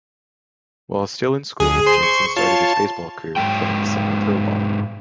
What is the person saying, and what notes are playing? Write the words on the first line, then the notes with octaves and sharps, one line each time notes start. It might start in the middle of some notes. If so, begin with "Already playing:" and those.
While still in school Jansen started his baseball career playing semi-pro ball.
D2 G#4
C5 C6
C#6
F4 C#5 A5
G#2 F#3 G#3 G5